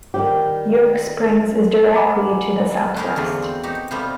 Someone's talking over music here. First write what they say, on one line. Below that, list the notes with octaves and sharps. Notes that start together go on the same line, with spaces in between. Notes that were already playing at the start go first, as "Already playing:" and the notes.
York Springs is directly to the southwest.
D#3 G3 G4
D#5 F#5 G#5 A#5 B5 D6
A3 E4 G4 G#4 A#4
E2 D3 F3 F#3
C4
D#4 F#4 G4
C3 F3 G3 A3 B3 C4